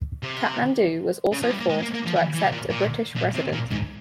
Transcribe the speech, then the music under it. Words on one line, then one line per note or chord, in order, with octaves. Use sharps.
Kathmandu was also forced to accept a British Resident.
C3
C#3
F3
G3
A#3
G#3
A#3
A#3
F3
E3
E3
C3
A#2
A#2
A#2
C3
A#2
G#2